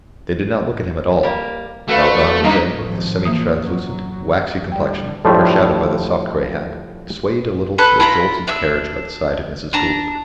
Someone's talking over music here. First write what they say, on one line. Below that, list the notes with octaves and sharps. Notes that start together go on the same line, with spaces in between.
They did not look at him at all; while Don Jose, with his semi-translucent, waxy complexion, overshadowed by the soft grey hat, swayed a little to the jolts of the carriage by the side of Mrs. Gould.
G3 A#3
A3 F#4 B4 F5
G2 A#3 D#4 B4 D#5
G#1 A2 F3
E3 A#3 D#6
F#2 F#3
A2 D3 G3 G5
A2 F3 G3 A3 D4 F4
A4 B4 F#6
E4 F4 A#5 B5
D4 E5 E6
D4 A5 A#5